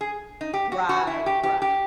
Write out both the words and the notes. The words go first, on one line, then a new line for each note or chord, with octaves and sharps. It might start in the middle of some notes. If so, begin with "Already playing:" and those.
Right, right.
G#4
D#4
G4
F#4
F#4
E4
G4
G4
G4